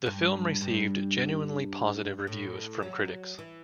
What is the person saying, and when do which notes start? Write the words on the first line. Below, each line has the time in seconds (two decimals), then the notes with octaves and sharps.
The film received genuinely positive reviews from critics.
0.06 G2
0.61 G2
2.27 A2
2.83 F#3
3.39 E3